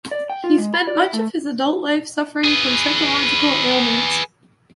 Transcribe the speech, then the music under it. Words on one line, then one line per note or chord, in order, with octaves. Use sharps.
He spent much of his adult life suffering from psychological ailments.
D5
G5
F4
G#3
B5
D5
E4
A3
G#4 B4